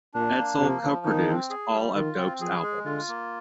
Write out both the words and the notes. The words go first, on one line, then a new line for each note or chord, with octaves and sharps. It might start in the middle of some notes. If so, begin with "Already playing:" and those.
Edsel co-produced all of Dope's albums.
A#2 D4
A#3
C3 F3
F3
D#3 D#4
C4
G#4
G3
D#3 F4
C4
F3 G#4
G#3
D3 F4
A#3